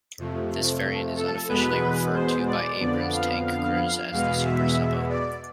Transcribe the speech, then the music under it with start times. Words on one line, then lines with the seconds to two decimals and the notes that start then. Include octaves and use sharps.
This variant is unofficially referred to by Abrams tank crews as the "super sabot".
0.18 F2 C3 F3 A3
1.16 A4
1.48 E2 B2 G#3 B3 B4
2.14 C5
2.48 D5
2.80 F2 D3 F3 B3 D5
3.13 F5
3.46 F5
4.11 E2 B2 G#3 B3 F5
4.43 E5
5.09 D5